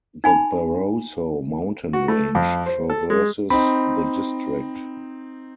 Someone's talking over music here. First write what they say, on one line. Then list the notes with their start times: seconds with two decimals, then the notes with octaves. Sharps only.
The Barroso mountain range traverses the district.
0.24 D#4 G#5 B5
1.93 F#4
2.08 A3
2.35 F2
2.66 C5
2.90 A4
3.10 G#3
3.50 C4 D#4 B5